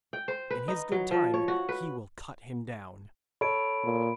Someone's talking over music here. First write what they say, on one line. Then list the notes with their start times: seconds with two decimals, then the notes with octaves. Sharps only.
In His good time He will cut him down.'
0.13 G5
0.28 C5
0.50 B4
0.68 D#4
0.92 F#3
1.11 F3
1.34 C#5
1.48 F#4
1.69 B4
3.41 A4 C#5 B5 D7
3.84 A#2